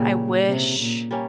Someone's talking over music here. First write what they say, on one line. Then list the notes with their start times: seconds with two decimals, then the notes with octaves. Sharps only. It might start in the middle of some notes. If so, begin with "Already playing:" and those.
I wish
Already playing: A#2 C#3 G3 C#4
0.48 C3
0.80 A#2
1.11 G3 A#3 C#4